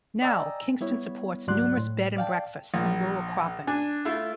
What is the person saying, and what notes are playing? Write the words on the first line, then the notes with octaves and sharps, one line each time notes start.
Now, Kingston supports numerous bed and breakfasts and rural cropping.
D5 D#5 G5 G#5 A#5 E6
G3 B3 E4 C#5
D2 G#2 F#3 D5 C6 F#6
A2
D5 F5 G5 A5
A#1
D4 G#5
A3 E4 F4